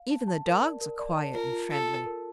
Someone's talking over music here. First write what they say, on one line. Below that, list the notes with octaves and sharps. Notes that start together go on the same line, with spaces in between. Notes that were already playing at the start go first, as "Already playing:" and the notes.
Even the dogs are quiet and friendly.
Already playing: F5
A5
A5
A#4
D5
A#4
D5
A5
F4 A#4
F4
F4 A4
F4
A#4